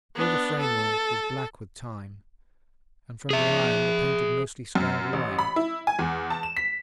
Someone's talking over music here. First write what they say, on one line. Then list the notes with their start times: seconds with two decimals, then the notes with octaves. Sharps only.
All the framework was black with time, and from the iron the paint had mostly scaled away.
0.15 B3 D4
0.61 A4
3.31 G#4 E5
4.75 F#2
5.13 A1
5.39 B5
5.56 E4
5.87 G#5
5.99 E2
6.30 A5
6.43 E7
6.57 B6